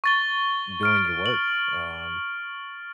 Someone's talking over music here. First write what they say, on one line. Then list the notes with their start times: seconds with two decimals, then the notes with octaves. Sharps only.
doing your work, um,
0.04 C#6 A6 G7
0.83 F6 D7
1.26 F#7